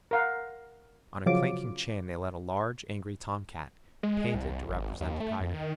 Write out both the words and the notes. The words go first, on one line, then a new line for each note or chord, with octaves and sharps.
On a clanking chain they led a large, angry tom-cat, painted to represent a tiger.
A#4 F5 F#5
C#3 F3 F#3 F4 D6
G#3
C2
G#1
D#2
A3
F2
D#3